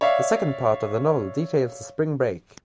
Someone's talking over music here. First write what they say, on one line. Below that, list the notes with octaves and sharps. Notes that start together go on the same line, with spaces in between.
The second part of the novel details the spring break.
C#5 D5 E5 F5